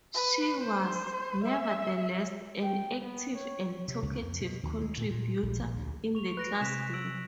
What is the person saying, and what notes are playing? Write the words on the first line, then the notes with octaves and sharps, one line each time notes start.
She was, nevertheless, an active and talkative contributor in the classroom.
B4
C5
E5
G5
B3
C#5
C3
C#2
F2
B2
D#2
G#3
A#2
A#2
A#1
A#1
D2
C#6 F7
B4 F#6 A#6 D7
C3 F#6 B6 E7
E6 D7 F#7